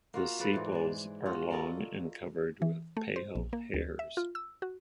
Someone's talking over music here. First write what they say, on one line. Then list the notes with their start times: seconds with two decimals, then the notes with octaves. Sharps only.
The sepals are long and covered with pale hairs.
0.14 A#3 F4 F#4
0.39 A4 B4 D5 F5
0.53 G#2 E3
0.72 G#3 D5
1.26 F4 F#4
1.50 A4 A#4 D5 D#5
2.62 E3
2.97 A3
3.16 C5
3.35 A#1
3.53 A#3
3.74 D2
3.99 E5
4.17 F4
4.35 E6
4.62 F#4